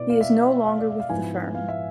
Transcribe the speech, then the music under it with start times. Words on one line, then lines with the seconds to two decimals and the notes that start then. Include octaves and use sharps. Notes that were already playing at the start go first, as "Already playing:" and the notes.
He is no longer with the firm.
Already playing: B2 B3 E4 D5
0.10 F5
0.21 E5
0.65 F5
0.79 D5
0.90 E5
1.00 F5
1.09 G#2 F3 B3 E4 G#5
1.55 F5
1.68 E5